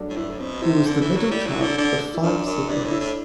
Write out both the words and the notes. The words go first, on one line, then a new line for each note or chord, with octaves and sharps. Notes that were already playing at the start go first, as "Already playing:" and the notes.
He was the middle child of five siblings.
Already playing: F#3 G3 A3 D4
A2
G2 E4
A2
B2 C4
C3 E4
D3
E3
F#3
G3 E4
F#3 E4
D3 E4
D3 D4
E4
F#2 D4
F#2
G2 D4
A2
E4
A2